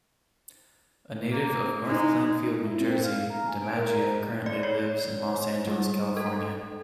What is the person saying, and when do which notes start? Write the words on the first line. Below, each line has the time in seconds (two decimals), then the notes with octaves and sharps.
A native of North Plainfield, New Jersey, DiMaggio currently lives in Los Angeles, California.
1.33 A#3
1.87 G#3 D#4
2.60 E4
2.80 C4
3.03 F5
3.30 A#5
3.47 G#5
3.62 D7
3.78 A#4
4.46 D5
4.63 C#5
5.67 G3
6.17 A4